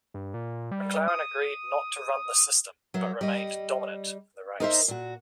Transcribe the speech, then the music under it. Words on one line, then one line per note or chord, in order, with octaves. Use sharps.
McLaren agreed not to run the system, but remained dominant in the race.
G2
A#2
G3
D#6
F#3 A#4 E5
G3 D#5
D#4 A#4 C5 E5
A#2 F#4